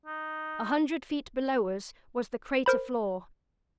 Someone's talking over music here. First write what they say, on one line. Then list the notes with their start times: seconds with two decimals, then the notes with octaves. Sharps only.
A hundred feet below us was the crater floor.
0.06 D#4
2.66 A#4 C5 B5